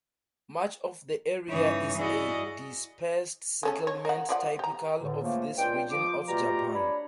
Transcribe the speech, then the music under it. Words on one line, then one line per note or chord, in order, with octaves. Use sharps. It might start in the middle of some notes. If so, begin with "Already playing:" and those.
Much of the area is a dispersed settlement typical of this region of Japan.
G2 C#3 E3 D#4 C#5 D#6
E4 F#4 G#4 D5 D#5
G#3 C#4 A4
C#5
A#4 F#5
F3 D5 F#5
G4 A#5
E2 A2 D3
C#3 F3 A3 A#3
C#2 D4 F4 G5
F3 D6
B2 G3 A3 F4 G4 A#5
D4 C#5 B5